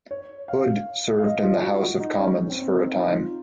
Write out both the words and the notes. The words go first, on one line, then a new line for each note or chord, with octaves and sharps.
Hood served in the House of Commons for a time.
C#5
F5
F5
D#5
F4
F#4
F4
D#4
C#4
C#4
C4
C4
D#4
D#4
F4